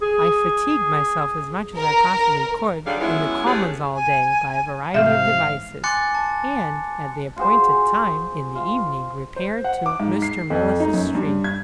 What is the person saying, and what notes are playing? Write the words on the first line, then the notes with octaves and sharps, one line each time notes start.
I fatigued myself as much as I possibly could in the Commons all day, by a variety of devices, and at the appointed time in the evening repaired to Mr. Mills's street.
G#4
A#4
D3 D#3 F#3 G3 G#4 F5
F#3 G#3 B3 C#4 E4
G#3 A3 B3 C#4 G4 G#4
G#5
G#2 C3 E3 E5 F5 G6
G#5 C6 D6 F#6 A6 C#7
A5
F4 F#4 G#4 C5
F4
C5
F#5
D6
G#2
C7
F2
D#4
F#2
G2
G#6